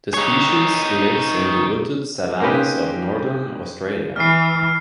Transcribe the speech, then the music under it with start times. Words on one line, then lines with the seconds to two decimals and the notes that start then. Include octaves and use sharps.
The species lives in the wooded savannas of northern Australia.
0.14 D#4 C#5
2.40 A#3 C4 C#4 D#4 G4 B4
4.16 E3 F6 C7